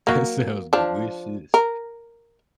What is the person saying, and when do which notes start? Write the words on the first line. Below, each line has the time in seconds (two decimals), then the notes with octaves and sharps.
that sounds delicious.
0.07 F#3 A#3
0.73 F3 D4
1.54 A#4